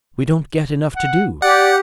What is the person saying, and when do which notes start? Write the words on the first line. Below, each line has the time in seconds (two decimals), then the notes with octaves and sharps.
We don't get enough to do.
0.96 F#5
1.42 G4 D5 F#5